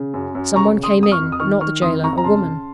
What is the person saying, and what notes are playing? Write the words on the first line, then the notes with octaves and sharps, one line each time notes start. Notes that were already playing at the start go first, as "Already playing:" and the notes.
Some one came in; not the gaoler--a woman.
Already playing: C#3
F#2
F#2
C#3 A#5 C#6
C#3
C6 D#6
F2 D#6
C#6 F6
F2
D#6
D#3 C#6 F6
D#3 C#6 F6
F2 C6 D#6
F2 A#5 C#6
A#5
C#3 A5 C6
C#3